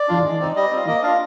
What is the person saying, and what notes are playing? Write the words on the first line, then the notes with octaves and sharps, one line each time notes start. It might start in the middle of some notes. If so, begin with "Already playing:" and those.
Mhm, mm.
Already playing: D5
D4 F4
G#3
C4 D#4
G3 D#5
C4 F4
A#3 D#5
D4 F4 F5